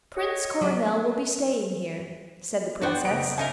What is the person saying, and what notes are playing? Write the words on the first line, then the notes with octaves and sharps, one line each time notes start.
"Prince Coronel will be staying here," said the Princess.
C#5 D#5
F#3 F#4 G4
B3 D4 F#4 C5 D5 G5
F#1 D#5 D7
C#3 D#4 A#4 E5 G#5